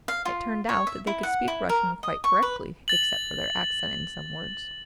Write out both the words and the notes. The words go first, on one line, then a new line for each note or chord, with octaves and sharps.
It turned out that they could speak Russian quite correctly except for their accent in some words.
F5
F4
C#5
E5
E4
F#5
E4
A#4
D#5
C#6
B4
A6 F#7